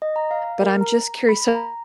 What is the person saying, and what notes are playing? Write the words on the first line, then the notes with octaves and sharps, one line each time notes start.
but I'm just curious. So,
D#5
A#5
F5
A#4
A#5
B5
A#5